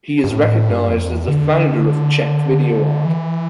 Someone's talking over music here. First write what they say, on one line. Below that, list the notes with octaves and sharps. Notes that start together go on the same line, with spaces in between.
He is recognized as the founder of Czech video art.
G2
A2
G2
F2
E2
D3
E3